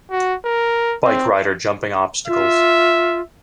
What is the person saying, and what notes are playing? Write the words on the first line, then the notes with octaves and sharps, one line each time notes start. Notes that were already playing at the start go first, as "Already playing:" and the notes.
Bike rider jumping obstacles.
F#4
A#4
C4
F4 E5